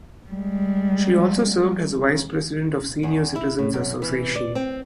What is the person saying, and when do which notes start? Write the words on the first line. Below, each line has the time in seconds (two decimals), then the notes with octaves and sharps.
She also served as vice president of Senior Citizens Association.
0.30 G3 G#3
3.03 E2
3.36 E4
3.58 A2
3.73 F#2
4.02 E3
4.36 D5
4.55 C4